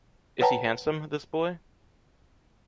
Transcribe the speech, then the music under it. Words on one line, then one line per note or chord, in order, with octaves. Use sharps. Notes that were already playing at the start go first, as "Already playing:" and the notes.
Is he handsome, this boy?
B4 C#5 F#5 G5 A5 A#5